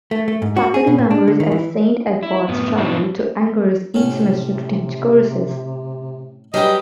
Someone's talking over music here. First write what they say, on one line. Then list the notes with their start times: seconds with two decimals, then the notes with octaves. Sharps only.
Faculty members at Saint Edward's travel to Angers each semester to teach courses.
0.11 A3
0.28 A3
0.42 G#2
0.56 F#4
0.74 G#4
0.87 B2
0.98 A#2
1.11 D4
1.28 D3
1.40 D#3
1.52 E3
2.23 E4
2.48 F#2 A2 B3
2.77 G#2 B2 E3 C4 D4 D#4
3.94 A2 C3 C#4
6.54 F#3 G3 G4 G#4 B4 D#5